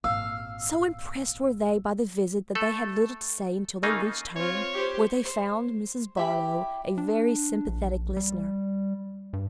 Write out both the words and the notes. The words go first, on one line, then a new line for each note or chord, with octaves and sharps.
So impressed were they by the visit that they had little to say until they reached home, where they found Mrs. Barlow a very sympathetic listener.
G#1 A#2 F5 E6
A3 A4
C#3 A3 A#3 D#4
C4 F4 C#5
G4 C5
C5
E4 G4 B5
D4
A#1
G3
G2